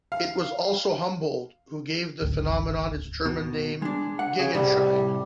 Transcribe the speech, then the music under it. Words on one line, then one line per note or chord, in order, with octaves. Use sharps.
It was also Humboldt who gave the phenomenon its German name Gegenschein.
F5
D1 G#1 D2 A2
B2
G#3 D4
F#5
C#3 G#4
A2 C3 G3